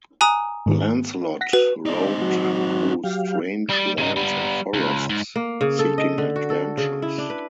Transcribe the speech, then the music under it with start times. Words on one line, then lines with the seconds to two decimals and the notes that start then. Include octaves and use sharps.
Lancelot roamed through strange lands and forests seeking adventures.
0.21 G#5 A#5 D#6 F#6
0.66 G#2 D#3
1.41 F#5 A#6 B6
1.53 F#4 B4
1.86 C4 D#4 D5
2.22 F#3 F#4
3.04 F#3 G4 F5
3.70 G3
3.98 C#3 D#4
4.16 G3 B3
4.74 C#2
5.09 G#2
5.36 A#3
5.61 C#3
5.79 A4
5.98 D#5
6.18 D3
6.36 F#4
6.50 A4
6.77 C#3
7.02 E4
7.18 D4
7.30 B4